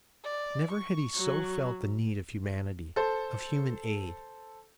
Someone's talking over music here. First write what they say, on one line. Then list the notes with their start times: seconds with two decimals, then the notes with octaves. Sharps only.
Never had he so felt the need of humanity, of human aid.
0.24 D5
0.72 C#6
1.17 F#3
2.96 A4 C5